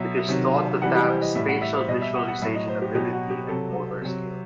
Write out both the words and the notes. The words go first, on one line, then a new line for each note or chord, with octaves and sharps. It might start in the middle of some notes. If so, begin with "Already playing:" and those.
It is thought to tap spatial visualization ability and motor skill.
Already playing: B2 F#3 E5
C3 D#3 F#3
C3 E3 G3 F#5
G4
C5
D#5
A2 G3 E5
F#5
E5
C5
B2 G3 D#5
E5
F#5
F#5
A2 F#3 E5
D#5
C5
G4
B2 F#3 G4
F#4
G4
C3 F#3 A4
C3 F#3